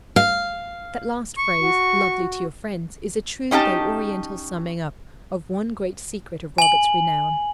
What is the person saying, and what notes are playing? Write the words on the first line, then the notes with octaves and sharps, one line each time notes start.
That last phrase, "lovely to your friends," is a true though Oriental summing-up of one great secret of Roberts' renown.
F5
C#6
F#4
C#4 D#4 G4 F5 A5
G#5 F#7